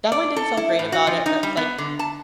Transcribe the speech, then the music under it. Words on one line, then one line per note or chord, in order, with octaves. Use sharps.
definitely didn't feel great about it, but, like,
D5
A4
E4
A2
F#4
F3
D#4
G3
B3
D3
A5